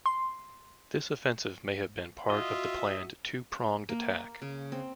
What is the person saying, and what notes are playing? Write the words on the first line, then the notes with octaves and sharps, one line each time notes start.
This offensive may have been part of the planned two-pronged attack.
C6
F4 F#4 D#5 E5
A#3
C#3
C4